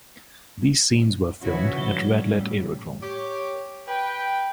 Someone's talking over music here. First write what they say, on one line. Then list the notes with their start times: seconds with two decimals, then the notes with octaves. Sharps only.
These scenes were filmed at Radlett Aerodrome.
1.42 C#3 F3 E4 F#4 B4 C#5
1.96 A2 C#3 G3
3.02 G4 C#5
3.88 B4 G5